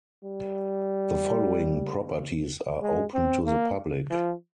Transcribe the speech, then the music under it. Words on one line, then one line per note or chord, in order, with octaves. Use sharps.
The following properties are open to the public.
G3
G#3
C4
A#3
F3